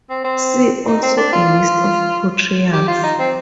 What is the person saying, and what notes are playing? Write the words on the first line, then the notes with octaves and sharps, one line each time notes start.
See also a list of portrayals.
C4
C4
D#4
C4
D4
F4
G4
F4
D#4
C4